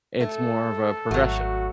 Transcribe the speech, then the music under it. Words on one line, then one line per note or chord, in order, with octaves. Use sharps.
It's more of a progression.
A3 A4
G#1 F#3 A3 F#4